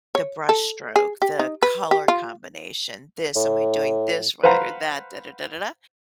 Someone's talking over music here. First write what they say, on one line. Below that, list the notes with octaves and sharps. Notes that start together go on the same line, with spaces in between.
the brush stroke, the color combination, this, "Am I doing this right, or that?" Da da da da da.
C#5
A4
G#4
G4
D#4
B4
G4
F4
A2
B4 C5 F5 F#5 A#5